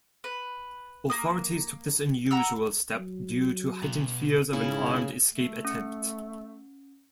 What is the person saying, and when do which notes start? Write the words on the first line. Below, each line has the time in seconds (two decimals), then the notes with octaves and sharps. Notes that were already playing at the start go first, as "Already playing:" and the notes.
Authorities took this unusual step due to heightened fears of an armed escape attempt.
0.24 B4
1.10 A#3 D#6
2.31 F#5 A#5 E6
2.95 F#3
3.82 B2 A#5
4.53 G#2 C#3 E4
5.33 A3
5.65 C#4 C#7